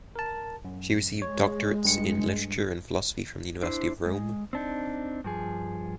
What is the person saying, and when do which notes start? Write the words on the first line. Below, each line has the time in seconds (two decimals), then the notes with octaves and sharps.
She received doctorates in literature and philosophy from the University of Rome.
0.16 A#4 A5
0.65 F#2
1.22 G#3 C#5
1.85 G2 C#7
3.63 D4 E4 C5
4.05 G#3
4.53 C4 D4 D#4
5.24 G2 F3 G#4